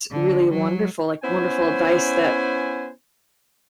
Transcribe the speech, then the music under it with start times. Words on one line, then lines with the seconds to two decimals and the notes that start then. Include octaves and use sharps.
really wonderful, like, wonderful advice that,
0.12 D3
0.50 F#3
1.24 B3 C#4 E4 C5 G#5